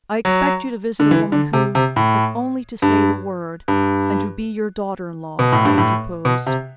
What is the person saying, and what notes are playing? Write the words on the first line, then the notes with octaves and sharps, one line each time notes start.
"I expect you to visit a woman who has only to say the word and to be your daughter-in-law," I interposed.
F#3
D3
E3
D3
C3
C3
A2
G2
G2
B2
A2
G2
A2
B2
C3